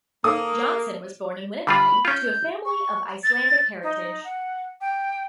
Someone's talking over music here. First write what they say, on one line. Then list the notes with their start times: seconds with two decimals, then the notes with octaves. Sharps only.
Johnson was born in Winnipeg, to a family of Icelandic heritage.
0.24 A#3 A4 D#6
1.67 D3 G3 F4 B5
2.05 C#4 F4 G6
2.65 C#6
3.24 A6
3.83 D#4
4.24 F#5
4.81 G5